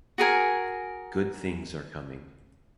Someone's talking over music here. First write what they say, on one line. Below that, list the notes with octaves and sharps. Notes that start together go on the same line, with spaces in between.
Good things are coming.
F#4 G#4 A#4 G#5